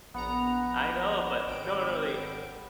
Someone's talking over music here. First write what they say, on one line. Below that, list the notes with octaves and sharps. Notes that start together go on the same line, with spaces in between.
I know, but no, no, they
A#1 B3 F#5 A#5
G#1 G5 D7